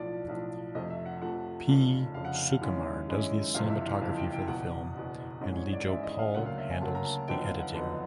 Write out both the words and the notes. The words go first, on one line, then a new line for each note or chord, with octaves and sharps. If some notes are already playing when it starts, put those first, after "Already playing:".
P Sukumar does the cinematography for the film and Lijo Paul handles the editing.
Already playing: B1 A2 F3 D5
B1 A2 F3
F2 C3 F3 A3 D#5
E5
F#5
F2 C3 F3 A3 F#5
F1 F2 C#3
F1 F2 C#3 F5
F#5
F5
F#2 D#3 G#3 C#4 E4
F#2 D#3 G#3 C#4 E4
F#1 F2 C3 E3 F5
E5
F5
F#1 F2 C3 E3
G5
G5
F#1 E2 B2 F#5
F#1 E2 B2
G#1 G#2 E3 G#3 C#4 D#5
C#5
D5
G#1 G#2 E3 G#3 C#4 E5
D#5
F5
D2 C#3 F#3 A#3 F#5
F5
E5
G#5
D2 C#3 F#3 A#3 A5
A#5
A5
F2 D3 F#3 B3 D#4 G5
F5
F#5
F2 D3 F#3 B3 D#4